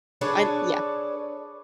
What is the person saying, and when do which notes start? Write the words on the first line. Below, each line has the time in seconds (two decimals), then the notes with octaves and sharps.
I n Yeah.
0.21 D4 G#4 A4 B4 C#5 D5